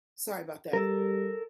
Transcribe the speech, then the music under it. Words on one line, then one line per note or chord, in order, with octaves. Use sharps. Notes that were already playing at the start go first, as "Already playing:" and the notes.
sorry about that.
G3 A4 A#4